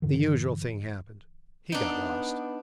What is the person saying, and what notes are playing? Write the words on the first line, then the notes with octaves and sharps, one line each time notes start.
The usual thing happened; he got lost.
G2 D3 E3
B3 D4 D#4